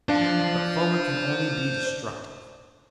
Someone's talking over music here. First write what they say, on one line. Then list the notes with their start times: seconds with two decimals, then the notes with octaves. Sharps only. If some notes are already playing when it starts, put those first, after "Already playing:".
But Foma can only be destructive.
0.09 D4 C5 F5